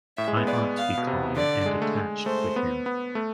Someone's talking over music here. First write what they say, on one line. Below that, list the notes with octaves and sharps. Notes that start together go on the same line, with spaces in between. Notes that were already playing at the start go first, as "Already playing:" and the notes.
I ought to be calm and detached with him.
A2 E5
G#3
B3
B3 D5
F5
B2
C3
D3 D5
G#3
A3
G#3
A3 C5
B3
B3
A3